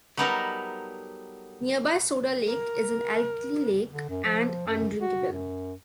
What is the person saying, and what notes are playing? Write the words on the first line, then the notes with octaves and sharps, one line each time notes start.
Nearby Soda Lake is an alkali lake and undrinkable.
F#3 G3 B3 D#4 A4 A#4
A#4
D3
F#2
F3
F#2
F#4
F#2